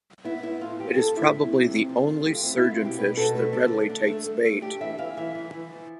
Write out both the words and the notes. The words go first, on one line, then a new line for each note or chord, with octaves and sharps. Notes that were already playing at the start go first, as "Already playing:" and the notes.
It is probably the only surgeonfish that readily takes bait.
B3 E4
B3 E4
A2 F4
F3 G4
F3 A4
A2 E4
C4
C3
C4
F3
A3
A3 G4
F4
C4 E4
C4 E4
F4
B2 G4
B2 B4
B2 A4
A3 B4
D3 A4
A3
D4
A3
A3
A3
D4 G4
E3 E5
E3 F5
E3 E5
E3
E3
F3